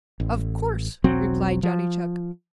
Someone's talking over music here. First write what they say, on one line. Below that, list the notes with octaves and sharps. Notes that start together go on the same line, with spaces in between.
"Of course," replied Johnny Chuck.
A1
E1 B1 F#3 C4
F3